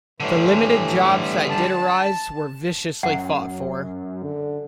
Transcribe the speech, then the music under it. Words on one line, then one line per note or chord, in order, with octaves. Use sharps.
The limited jobs that did arise were viciously fought for.
A2 D3 E3 G3
A5
F#2 F#5
D3